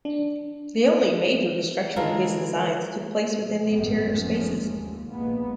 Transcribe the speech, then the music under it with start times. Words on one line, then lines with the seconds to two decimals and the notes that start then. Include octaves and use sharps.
The only major destruction of his designs took place within the interior spaces.
0.05 D4
1.96 D3 E3 G#3 F4 A4 A#4
3.37 B2 F3
3.72 G#1 F#2 A2 G3 G#3 B3
4.13 F1 F3 G#3 A#3 C#4
4.73 D#2
5.11 A#1 A#2 G#3 A#3 B3